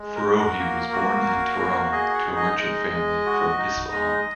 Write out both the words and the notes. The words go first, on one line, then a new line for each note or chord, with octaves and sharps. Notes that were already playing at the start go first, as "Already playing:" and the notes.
Foroughi was born in Tehran to a merchant family from Isfahan.
Already playing: G#3
A#4
F#4
A#4
A#3
F#4
A#3
F#4
G#4 D#5
F#5
D#4
D#5
G#3 D#5
G#3
F#4
D#4
G#3 D#5